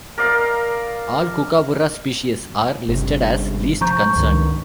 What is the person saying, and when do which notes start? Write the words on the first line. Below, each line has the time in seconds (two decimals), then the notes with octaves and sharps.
All kookaburra species are listed as Least Concern.
0.18 A#4 D5 D#5 F5
2.89 G1 G2 C3
3.81 F3 A#5 C#6 G6
4.16 C#2 G2 D#3